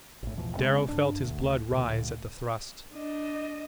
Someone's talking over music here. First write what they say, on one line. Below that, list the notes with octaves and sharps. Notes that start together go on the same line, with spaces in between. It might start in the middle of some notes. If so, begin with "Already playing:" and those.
Darrow felt his blood rise at the thrust.
A#1 A2
E2 B2 F3
C#3 E3 G#3 C4
G2 D4
D2
D2 A#2
D4 D#5